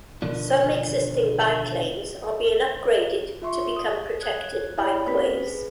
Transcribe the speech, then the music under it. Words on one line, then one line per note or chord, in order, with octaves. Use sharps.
Some existing bike lanes are being upgraded to become protected bikeways.
B2 D3 D#3 F3 D4
F4 E5 C6 C#6
D#6
C#5 F#6 G#6
E4 C#5 D5 G5 B5
A#3 C4 C#4 G4 B4 B6
G#4 B4